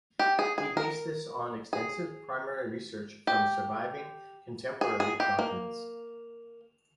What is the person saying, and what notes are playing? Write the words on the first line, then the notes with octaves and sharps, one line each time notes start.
He based this on extensive primary research from surviving contemporary documents.
G4
G#4
G#4
A#4
G#4
G4
G#4
G#4
G4
A#3